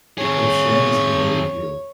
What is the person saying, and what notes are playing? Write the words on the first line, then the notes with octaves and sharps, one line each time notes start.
Crocheting is competitive field.
C4 G#4 C#5